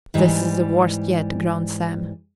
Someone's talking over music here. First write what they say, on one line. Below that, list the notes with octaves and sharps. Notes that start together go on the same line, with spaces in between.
"This is the worst yet!" groaned Sam.
G#2 E3 G3